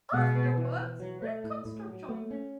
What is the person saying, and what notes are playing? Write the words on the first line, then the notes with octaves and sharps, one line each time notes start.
Afterwards - reconstruction.
B2 G#3
B3
E3
E3
F#3
A3
A2
A2
F#3
A3
C#4